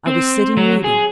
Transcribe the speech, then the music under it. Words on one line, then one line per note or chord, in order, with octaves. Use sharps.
I was sitting reading.
C4
F#3
G#4